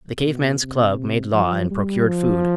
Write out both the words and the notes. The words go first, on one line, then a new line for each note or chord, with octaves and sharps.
The cave man's club made law and procured food.
B2
C3
F3
G3
F3